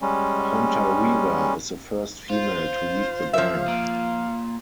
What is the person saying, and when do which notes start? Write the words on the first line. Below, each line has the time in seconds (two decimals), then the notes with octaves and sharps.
Hontareva is the first female to lead the bank.
0.01 G3 G#3 C#4
2.30 F4 C5
3.33 F3 E5 F5
3.68 A#2